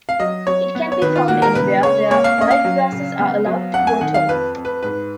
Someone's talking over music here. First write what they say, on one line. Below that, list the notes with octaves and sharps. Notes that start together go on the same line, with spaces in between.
It can be found anywhere where wild grasses are allowed to grow tall.
F5
F#3 D#5
F#3 C#5
B3
C#5
D#3 B4
F4
A#3 F#4
A#4
C#3 B4
G#3 C#5
A#3 C#5
F5
C#4 D#5
F5
F#3
C#3
B3
F#3
F2 F#5
G#5
D#3 F#5
F5
F2 B4
F2
B4
G#2 B4